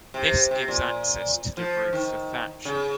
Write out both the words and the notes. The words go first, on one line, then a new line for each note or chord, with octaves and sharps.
This gives access to the roof for thatching.
C3
C3
A#2
F3
D#3
C#3